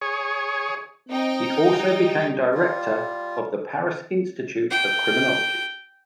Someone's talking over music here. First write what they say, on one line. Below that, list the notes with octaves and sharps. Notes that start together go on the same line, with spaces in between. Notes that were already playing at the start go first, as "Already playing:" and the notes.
He also became director of the Paris Institute of Criminology.
G#4 C#5
C4 D#4 G5
G3
G3 F4
G5